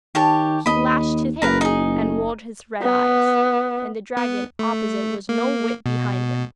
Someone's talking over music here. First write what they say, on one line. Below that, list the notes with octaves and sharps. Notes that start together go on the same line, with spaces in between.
He lashed his tail, and rolled his red eyes, and the dragon opposite was no whit behind him.
D#3 G4 C#5 A5
D#2 D#5 B5
F#1 A#4 B4 A#5
D#4 G#4
B3
B3
A3
A#3
B2